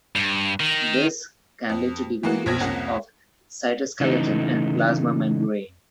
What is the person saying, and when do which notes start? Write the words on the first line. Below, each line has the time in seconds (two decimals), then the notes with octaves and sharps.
This can lead to degradation of the cytoskeleton and plasma membrane.
0.16 G2
0.60 D#3
1.69 F2
2.23 E3 G#3 A#3 B3 F#4
2.46 B1 F2 G#6 A#6
2.60 C2 F2 A#3 C#4 F#5 G#6
4.00 C#3 E3 A3 D#4